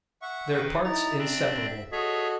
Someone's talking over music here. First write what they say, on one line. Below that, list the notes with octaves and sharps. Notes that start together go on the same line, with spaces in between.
Their Parts inseparable.
E5 F#5 C#6
D#3 B4
D#4 E4 A#5 A6
C4 D4 D5 E5
F#4 G#4 A4 C#5 D#5 E5